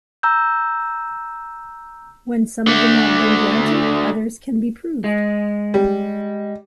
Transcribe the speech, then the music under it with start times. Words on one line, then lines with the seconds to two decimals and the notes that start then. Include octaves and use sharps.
When some of them have been granted, others can be proved.
0.23 A#5 E6 G6
2.67 D3 A3
5.04 G#3
5.74 G3